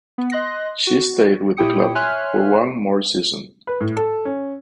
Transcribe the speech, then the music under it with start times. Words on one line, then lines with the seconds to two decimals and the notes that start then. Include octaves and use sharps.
She stayed with the club for one more season.
0.18 B3
0.32 D#5 C6 F#6 A#6
0.87 F#4
1.57 A#2 E4 G4 G5 D#6 C#7
1.95 C#5 E5 G#5 C6 F6 F#6
3.67 B4
3.81 A2
3.97 A4
4.25 C#4